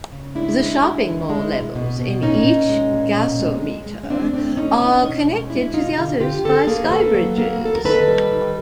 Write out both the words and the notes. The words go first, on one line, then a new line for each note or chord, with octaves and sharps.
The shopping mall levels in each gasometer are connected to the others by skybridges.
C#3
G#3 D4 E4
G#3
G#3
D#3
G#3
B2
B2
B2
A#2 C#4 D#4
A#2
G#3
A#2
B2
G#3
G#3
G#3
C#4
E3 C4 D4
A3 C4 D4
A3 C#4 D#4
C3 C#4 D#4
D4
B2 C#4 D#4
G#3 C#4 D#4
G#3 D4 E4
B2 D#4 F4
D3 F4 G4
D3 F4 G4
D3 G4 A4
A#3 G#4 A#4
C5
A#3 A4 B4
F#3
A#3
A#3 A4
A#4
D#3 A4 B4
G3
D#3